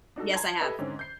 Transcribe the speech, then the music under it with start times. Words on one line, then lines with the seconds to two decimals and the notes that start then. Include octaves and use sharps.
Yes, I have.
0.16 D4 D#4 F#4 A4
0.34 A5 A#5 C6 G#6
0.61 G4 A4 B4 D#5 E5
0.79 G#2 D3 C4 C#4
0.99 G6 C7